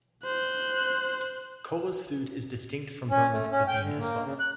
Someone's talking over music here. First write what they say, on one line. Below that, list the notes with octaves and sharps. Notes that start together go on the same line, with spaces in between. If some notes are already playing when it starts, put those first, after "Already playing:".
Kola's food is distinct from Burma's Cuisine as well.
C5 F#6
C#4
A3
C#4
G5
D3
A#3
C#3
F#6